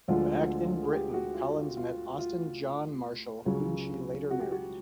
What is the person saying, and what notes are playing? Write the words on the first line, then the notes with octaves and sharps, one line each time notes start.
Back in Britain, Collins met Austin John Marshall, whom she later married.
D2 D3 F3 G#3 F4
F4
F4
G#4
G4
F#4
F4
F4
F4
F4
C#2 C#3 F#3
F#4
G4
F#4